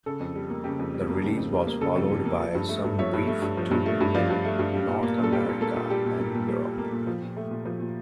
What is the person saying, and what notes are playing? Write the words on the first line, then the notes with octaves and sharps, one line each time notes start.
The release was followed by some brief touring in North America and Europe.
C#3 A4
F2
G3
A#3
C#3 G4
F2
G3
A#3
C#3
F2
G3
A#3
C#3 A4
F2
G3
A#3
F3
G2
A3
G2
F3 C#5 E5
G2
A3
G2
F3
G2
A3
G2
F3 D5 F5
G2
A3
G2
G3
A#2
A#3
A#2
A4
G3 G4
A#2
A#3 A4
A#2
G3 G4
A#2
A#3
A#2
G3
A#2
A#3
A#2
F3
A#2
A3
A#2
F3
A#2